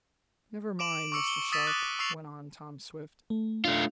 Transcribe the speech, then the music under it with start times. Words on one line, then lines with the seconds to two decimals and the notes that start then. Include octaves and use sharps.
"Never mind, Mr. Sharp," went on Tom Swift.
0.79 D6 D7 E7 F#7
1.12 C#6 D6 E6 C#7 F#7
1.28 G7
1.52 D#6 E6 A6 B6 D#7 E7
1.67 D6 F#6
1.99 C#6 E6 C7 F7
3.30 A3
3.65 A3 D4 F4